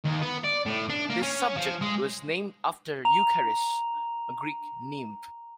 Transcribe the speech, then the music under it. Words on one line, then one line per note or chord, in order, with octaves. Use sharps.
This object was named after Eucharis, a Greek nymph.
D#2
B3
D5
A2
D4
A#3
C#4
F3
G#3
A#5 F7